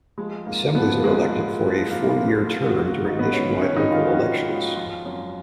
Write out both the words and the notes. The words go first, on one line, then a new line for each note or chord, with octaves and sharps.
Assemblies are elected for a four-year term during nationwide local elections.
F3 G#3
G#2 A#3
F3 B3
G#2 G#3
G#2
F3
F3 A#3
F4
F3
F4
G#2 F4
F#4
G#2
F#4
G#2 D#4
B3
G#2 C#4
D#3 C#4
D#4
D#3 F4
F#4
D#3 F4
G#2 F4
F3 F4
F#2